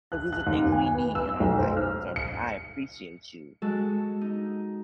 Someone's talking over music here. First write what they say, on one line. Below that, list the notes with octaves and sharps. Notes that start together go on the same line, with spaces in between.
'cause these are things we need in our life, so I appreciate you.
F#6
F#6
D#2
G#5
B3
E6
B1
C5
F6
C#7
G#3 F#4 A4
D#4